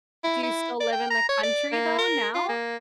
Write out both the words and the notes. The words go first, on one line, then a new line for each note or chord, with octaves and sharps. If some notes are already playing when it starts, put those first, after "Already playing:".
Do you still live in the country though, now?
E4
E4
D5
G5
A#5
C#5
D5
A#3
A#4
F4
A#3